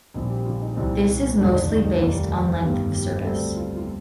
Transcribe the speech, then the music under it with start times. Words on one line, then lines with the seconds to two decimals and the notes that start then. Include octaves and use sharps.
This is mostly based on length of service.
0.14 A#1 A#2 G3 C4 D#4
0.30 G4
0.45 F4
0.62 D#4
0.76 C2 A#2 G3 C4 D#4
1.38 F1 D#2 D3 A3 D4
1.54 D#4
1.69 D#4
1.85 D#4
2.01 F1 D#2 D#3 G3 A#3 F4
2.63 G1 G2 D#3 G4
2.94 G4
3.24 D2 D3 G3 C4 A4
3.56 F4
3.76 F4